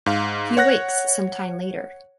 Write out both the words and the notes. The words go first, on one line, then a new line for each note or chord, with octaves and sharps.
He awakes some time later.
G#2 F5
C#5 F#5 F#6 A#6